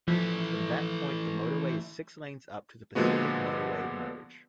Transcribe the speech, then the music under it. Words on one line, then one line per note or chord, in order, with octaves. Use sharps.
From that point the motorway is six lanes up to the Pacific Motorway Merge.
E3 F3 A3
A#2 D3 F3 G#3 B3 F#4